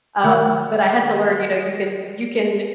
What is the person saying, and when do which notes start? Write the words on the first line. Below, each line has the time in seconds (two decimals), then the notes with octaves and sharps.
um, but I had to learn, you know, you can you can
0.24 D#3 A3 A#4